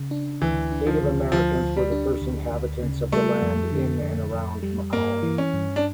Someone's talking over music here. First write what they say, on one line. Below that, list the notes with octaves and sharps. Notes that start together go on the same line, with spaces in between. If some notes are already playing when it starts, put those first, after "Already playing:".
Native Americans were the first inhabitants of the land in and around McCall.
Already playing: C#3
D4
D2 E3
D4
F3
D2
D2 F3
D2
G3
D4
D2
D2
C#3
G3 A3
F2
D3
F2
F2
G3
G2 A#3
E3
C#4
G2
D4